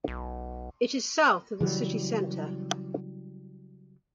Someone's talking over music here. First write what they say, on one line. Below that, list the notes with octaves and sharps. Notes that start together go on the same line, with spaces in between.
It is south of the city centre.
B1
C#3 E3 F#3 G3